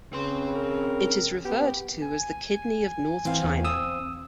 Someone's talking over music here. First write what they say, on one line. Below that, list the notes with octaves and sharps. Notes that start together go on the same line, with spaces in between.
It is referred to as the Kidney of North China.
C#3 C4 B4 C6
A#4
B3 G4
G#5
E3 C4 C5 F5
E2
D#6 E6